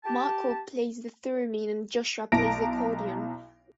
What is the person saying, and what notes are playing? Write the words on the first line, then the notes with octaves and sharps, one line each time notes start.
Michael plays the theremin and Joshua plays the accordion.
G4 A5
B1 E4 A5 A#5 A#6 D7